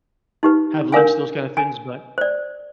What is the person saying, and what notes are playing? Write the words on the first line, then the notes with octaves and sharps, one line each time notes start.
Have lunch, those kinda things, but
D#4 G4 B4
D4 A#4 F5 G#5
G#5
C5 D5